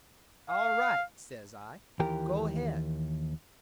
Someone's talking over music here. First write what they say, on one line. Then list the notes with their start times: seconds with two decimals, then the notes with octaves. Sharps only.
"All right," says I, "go ahead."
0.50 F5
1.99 D#2 E3 G4 A#4 G5